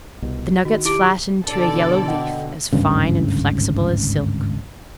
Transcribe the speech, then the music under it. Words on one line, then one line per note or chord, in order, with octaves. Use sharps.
The nuggets flattened to a yellow leaf as fine and flexible as silk.
C2 B2
D#3 F#4
E4 G4 D6 D7
B2 D3 A4 D5
D#5 F#5 G5
G#1 D2 G2 C#3